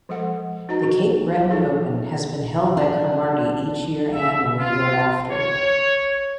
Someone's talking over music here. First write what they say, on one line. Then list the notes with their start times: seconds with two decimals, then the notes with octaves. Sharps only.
The Cape Breton Open has been held by Cromarty each year annually thereafter.
0.09 F3 G#3 A4 F#5
0.69 D#4 F#4 B4 D#5 A#5
0.81 D#4 F#4
1.38 F#3 F5
1.51 D#4 F4 F#4 G#4 A4
2.77 D4
4.14 E5
4.58 F4
5.31 C#5